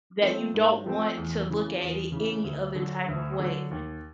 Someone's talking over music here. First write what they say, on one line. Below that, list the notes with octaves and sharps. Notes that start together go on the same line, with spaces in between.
that you don't want to look at it any other type of way.
F3 A3 C4
G#2
F3 A3 C4
E2
C#3 E3
E2
C#3 E3
D2
D3 F#3
D2
D3 F#3
D#2